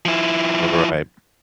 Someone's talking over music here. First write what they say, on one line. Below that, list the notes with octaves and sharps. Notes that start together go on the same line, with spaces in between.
You're right.
F3 E4